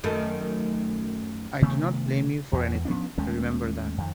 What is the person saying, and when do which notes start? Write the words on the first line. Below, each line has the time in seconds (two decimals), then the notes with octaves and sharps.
I do not blame you for anything; remember that.
0.04 F#2 D#3 A3
1.62 C3 D#3 A3 B3
2.53 E2
2.85 F3 B3 C#4 D4
3.18 D#2 G#3 A3 C#4
3.98 F2 D#3